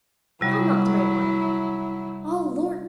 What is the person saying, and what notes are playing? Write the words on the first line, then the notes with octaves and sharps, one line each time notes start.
How not the right one?... O Lord!
C3 F#3 G3 E4